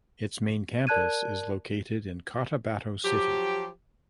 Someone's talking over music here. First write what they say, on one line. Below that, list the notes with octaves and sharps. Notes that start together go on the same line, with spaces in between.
Its main campus is located in Cotabato City.
A#4 D5 A5 F#6 G#6 D#7
F3 F#3 G4